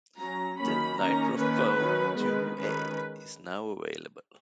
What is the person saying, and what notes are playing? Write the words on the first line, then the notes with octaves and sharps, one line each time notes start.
The "NitroPhone two a" is now avaiable.
F#3 C#4 A#5
D#3 F#3 A#3 C#4 B5
D#3 A#3 C#4 A#5
D#3 A#3 C#4 B4
D#3 F#3 C#4
D#3 G#3 B3 B4
D#3 G#3 C#4 B4